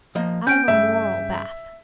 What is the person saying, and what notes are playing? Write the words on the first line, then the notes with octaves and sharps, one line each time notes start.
Out of a moral bath.
F3 A#3 D#5
C#4 G5 G6 D7
G2 C#3 E5